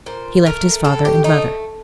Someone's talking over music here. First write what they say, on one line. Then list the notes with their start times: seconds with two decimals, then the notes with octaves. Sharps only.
He left his father and mother.
0.06 A#2 C5
0.46 A3 A#4
0.84 A2 A4
1.05 G4
1.24 A3 D#4